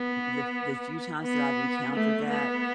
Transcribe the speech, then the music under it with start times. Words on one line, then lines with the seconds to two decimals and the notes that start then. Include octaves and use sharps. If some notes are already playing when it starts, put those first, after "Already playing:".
the f the few times that I've encountered that
Already playing: B3
1.23 B3
1.94 A3
2.30 B3